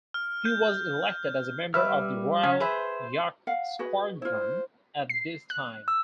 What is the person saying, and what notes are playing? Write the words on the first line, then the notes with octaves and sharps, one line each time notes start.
He was elected as a member of the Royal Yacht Squadron at this time.
F6
G6
G3 B4 E5 E6 F6
C#3 C#4
G#4 B4 C5 E5
F5 F#5
F#4 G#4 B4
E4 F4 C5
C7
F#6
E6